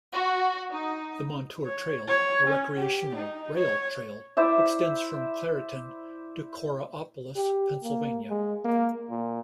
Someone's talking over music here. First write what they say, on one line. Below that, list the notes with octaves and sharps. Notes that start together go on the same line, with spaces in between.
The Montour Trail, a recreational rail-trail, extends from Clairton to Coraopolis, Pennsylvania.
F#4
D#4
C#5
C#5
C#4
G4
D#4
C#5
E4 C5 D5 E5
G4
A#3
G#3
A#3
A#2